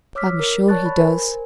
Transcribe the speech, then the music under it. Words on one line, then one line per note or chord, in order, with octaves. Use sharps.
"I am sure he does."
C#5 D6 E6 F6 B6
A#4
C#5 D5 A5 C#6 F#6 A6
B5
A#4 C5 G#5